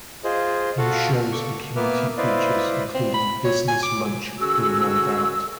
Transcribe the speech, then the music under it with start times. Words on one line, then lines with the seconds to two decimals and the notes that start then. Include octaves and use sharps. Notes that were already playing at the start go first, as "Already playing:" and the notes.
New shows and community features including Business Lunch were rolled out.
0.24 F4 G#4 C5 D#5
0.78 F4 F#4 A4 F5 F#5
1.10 F6
1.32 A4 C#6 D6
1.76 A#3 B3 B4 E5 D6 F6
2.18 E4 B4 C5 D5 D#5 F5
2.95 C4
3.14 B5
3.44 C#5
3.68 G#5
3.82 D6
4.39 D3 C#4 F#4 G#4 A#4 E6